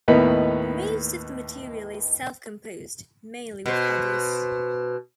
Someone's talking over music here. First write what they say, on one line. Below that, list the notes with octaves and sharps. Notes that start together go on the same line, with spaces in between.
Most of the material is self-composed, mainly with others.
D#2 A2 B3 D#4 B4
B2 C5